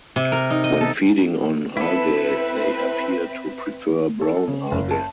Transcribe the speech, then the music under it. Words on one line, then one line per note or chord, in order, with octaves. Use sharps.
When feeding on algae they appear to prefer brown algae.
C3
A#4
D#4
D#5
A4
C4 E4 A4 B4 E5
A4
C#3
F#1
A5